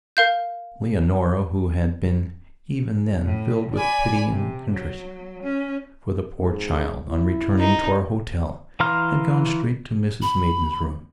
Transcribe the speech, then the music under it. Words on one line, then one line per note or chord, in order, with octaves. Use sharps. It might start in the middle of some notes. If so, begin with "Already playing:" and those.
Leonora, who had been even then filled with pity and contrition for the poor child, on returning to our hotel had gone straight to Mrs Maidan's room.
A#4 F5 G6
A2
D5 G#5 B5
C3
F#3
C#4
G#2
E4
D#4
E3 F5 A#5 C6 F6
B5